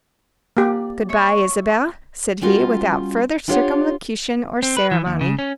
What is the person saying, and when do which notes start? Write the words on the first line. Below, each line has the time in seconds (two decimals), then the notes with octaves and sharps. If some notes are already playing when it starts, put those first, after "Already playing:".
"Good-bye, Isabel," said he, without further circumlocution or ceremony.
0.57 A#3 G4 D5
1.09 C#5 E5 C#6
2.42 G3 C#4 F4 F#4 A#4
3.48 D4 E4 F4 G4 C#5 F#5
4.63 C4
4.77 B4
4.91 E3
5.07 D#2
5.21 C#3
5.39 C#4